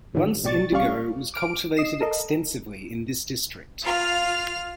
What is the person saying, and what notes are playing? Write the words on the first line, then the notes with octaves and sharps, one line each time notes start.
Once indigo was cultivated extensively in this district.
G#1 A2 D3 D#3 F#3 G3
A1 B2 G4 D5 C#6 A6
A1 G3 C#4 D5 F5 C#6
D6 F6 D7
D#5 C7 E7
A4 A#4 D#5
F4 F5 F6